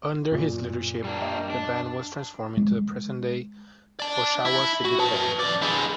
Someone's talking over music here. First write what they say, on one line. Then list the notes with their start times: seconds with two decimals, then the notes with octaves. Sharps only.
Under his leadership, the band was transformed into the present-day Oshawa Civic Band.
0.32 F#2 A#2
1.04 G3 A#3 D4
1.22 D#5
1.50 D4
2.57 G#3
4.00 D5 A5
4.45 E4
4.85 F#4
4.99 B4 A5
5.39 F2 D5
5.62 G#3 E4